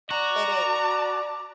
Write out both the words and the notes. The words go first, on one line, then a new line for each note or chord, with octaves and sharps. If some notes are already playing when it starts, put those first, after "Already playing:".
It is.
F#4 D5 A#5